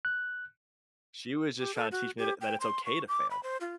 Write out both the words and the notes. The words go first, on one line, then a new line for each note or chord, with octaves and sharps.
She was just trying to teach me that that it's okay to fail
F#6
G4
A4
F#4
G4
G5
C6
C#6
D6
B5
C5
F4